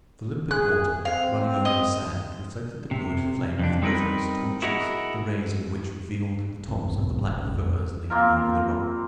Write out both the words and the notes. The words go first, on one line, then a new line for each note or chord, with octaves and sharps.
The limpid water, running over the sand, reflected the bluish flame of the resinous torches, the rays of which revealed the tops of the black firs leaning over the rock.
G#4 F#6
C4 F5
D#5
C3
F2 D4
G3 C4 D#4 F4 A#4 B4
E4 F#4 G#4 A#4 D#5 F#5
G1 F2 C3
E2 G#2 B2
D#1
D#1 A#1 C#3 C#4
F2
A#3 C4 F4 A#4